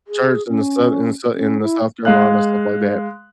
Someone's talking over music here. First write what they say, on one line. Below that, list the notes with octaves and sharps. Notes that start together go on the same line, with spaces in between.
church in the Sou in the Sou in the South Carolina, stuff like that,
G#4
C#4
C#4
E4
G#3 F5 F#6